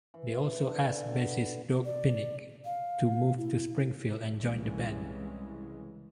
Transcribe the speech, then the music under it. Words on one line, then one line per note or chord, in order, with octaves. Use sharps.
They also asked bassist Doug Pinnick to move to Springfield and join the band.
E3
D3
B3
D5
F5
E4
C2 C#3 E3 G#3